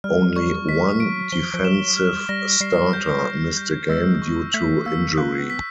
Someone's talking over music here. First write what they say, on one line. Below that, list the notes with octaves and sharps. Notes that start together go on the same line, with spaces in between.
Only one defensive starter missed a game due to injury.
G3 F6
G#3
G3
G3 C#6
G#3 B6
F#3 D7
F3 G7
F3
E7
F#3
G3 F6
G3 A#6
G3 C7
G6
G6
G6
G#3 E6
C#6
A3 B6
A#3 E6
A#3 F#6
B3
B6